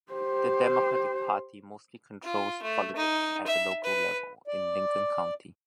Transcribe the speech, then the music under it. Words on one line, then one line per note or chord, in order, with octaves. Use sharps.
The Democratic Party mostly controls politics at the local level in Lincoln County.
G4 C5
F4
A3
D#4
E5
B4
D5